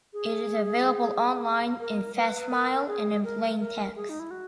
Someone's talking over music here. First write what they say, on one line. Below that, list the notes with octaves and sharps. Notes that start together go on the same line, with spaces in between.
It is available online in facsimile and in plain text.
G#4
A#4
B4
A#4
G#4
A#4
A#4
G#4
D#4
E4
F#4